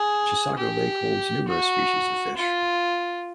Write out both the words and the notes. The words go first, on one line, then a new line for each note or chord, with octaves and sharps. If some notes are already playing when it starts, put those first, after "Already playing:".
Chisago Lake holds numerous species of fish.
Already playing: G#4
G4
F#4
F4